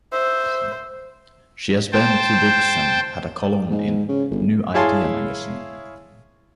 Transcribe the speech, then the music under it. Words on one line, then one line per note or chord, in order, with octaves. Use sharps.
She has penned two books and had a column in "New Idea" magazine.
C5 E5
C5 G5 A5
G#2
C#3
G1
E4 G#4 C#5 F5 A5 C6